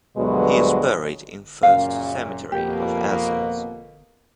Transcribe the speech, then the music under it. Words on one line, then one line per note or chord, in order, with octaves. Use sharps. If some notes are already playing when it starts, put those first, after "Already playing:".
He is buried in First Cemetery of Athens.
D2 G2 B2 F#3 G#3
F#2 A#2 C#3 F5
F2 B2 A#3 G4